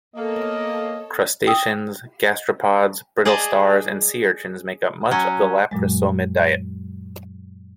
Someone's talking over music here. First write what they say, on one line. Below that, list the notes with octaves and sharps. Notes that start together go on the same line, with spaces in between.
Crustaceans, gastropods, brittle stars, and sea urchins make up much of the labrisomid diet.
A#3 B3 A4 C#5 D#5
G5 D#6 E6
G#4 D5 D#5 G#5 A5
F#3 C#4
F#2 A#2 F#3 G#3